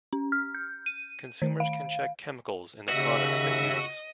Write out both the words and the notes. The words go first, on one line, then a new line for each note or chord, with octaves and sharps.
Consumers can check chemicals in the products they use.
C#4
F6
G6
D#7
D#3
F5
D#2 C#3 F#4 D#5 E5